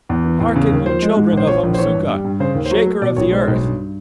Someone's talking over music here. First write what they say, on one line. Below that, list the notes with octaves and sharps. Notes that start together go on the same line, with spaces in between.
Hearken, you Children of Umsuka, Shaker of the Earth!
E2
E3
E2
C#3
D#2
F3 C5
G#3
G#2
A#1 C5
F3 C#5
A#1
C5
E3 C#5
G2
G3
G2
C#3 C5
D#2
C5
F#3 C#5
A3
B2 D5
B1 C#5
G#3 C5
B1
G2